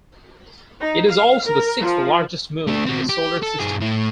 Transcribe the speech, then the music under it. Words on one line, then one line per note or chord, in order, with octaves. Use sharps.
It is also the sixth-largest moon in the Solar System.
D#4
F5
A#4
F3
A3 D4
C4 F#4
G4
A4
G2 G#4
A2 E4